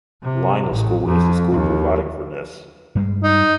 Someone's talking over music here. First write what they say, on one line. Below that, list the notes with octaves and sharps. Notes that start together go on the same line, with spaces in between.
Lionel School is the school providing for Ness.
C3
A1
F2
D#2
G2 G3 G#3
D#4